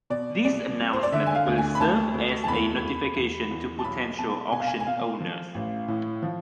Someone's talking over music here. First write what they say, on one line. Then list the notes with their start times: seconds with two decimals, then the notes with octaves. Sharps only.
This announcement will serve as a notification to potential auction owners.
0.10 B2 D5
0.44 C2 D5
0.79 C2
0.93 C5
1.03 D5
1.12 D3 E5
1.27 G#5
1.35 F5
1.47 D2
1.58 G#5
1.75 B5
1.80 D2 A5
2.14 D2
2.44 A5
2.48 E2 B5
2.82 E2
3.17 E2
3.51 E2
3.79 A5
3.84 B1 B5
4.18 B2 A5
4.52 B2 G#5
4.60 F5
4.67 G#5
4.80 G#5
4.87 B2 F5
5.20 F3
5.55 A1
5.88 A2
6.23 F3